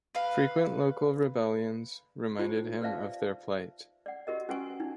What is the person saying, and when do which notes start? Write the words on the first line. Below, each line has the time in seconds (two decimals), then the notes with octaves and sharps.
Frequent local rebellions reminded him of their plight.
0.15 B4 F5
2.39 D#4 F4 G4 C5 B5
2.82 B4 C5 D5 E5 F5 A5
4.06 D5 F#5
4.27 F#4 G4 A#4 D#5
4.49 C#4 F#4 B4 F#5 G#5 C#6
4.80 D4 D#4